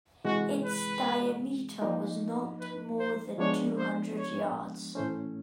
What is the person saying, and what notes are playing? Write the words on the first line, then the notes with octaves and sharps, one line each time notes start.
Its diameter was not more than two hundred yards.
C3 E3 G#3 F#4
B4
F3 A#3 D#4
B4
C5
F3 G#3 B3 D4 C#5
C5
C#5
A2 E3 A3 C#4 C5